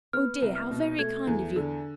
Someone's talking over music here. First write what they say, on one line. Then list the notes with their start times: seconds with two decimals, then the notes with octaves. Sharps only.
Oh dear, how very kind of you!
0.13 B3 F6
0.42 C2
0.56 F6
0.71 B2
0.99 A3 G#6
1.27 E2
1.56 D3